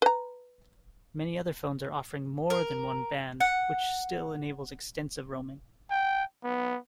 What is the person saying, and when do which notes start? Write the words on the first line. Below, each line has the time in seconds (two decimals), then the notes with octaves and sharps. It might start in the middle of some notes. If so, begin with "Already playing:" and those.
Many other phones are offering more than one band which still enables extensive roaming.
0.02 B4 A#5
2.50 A#4
3.40 F#5
5.91 G5
6.44 B3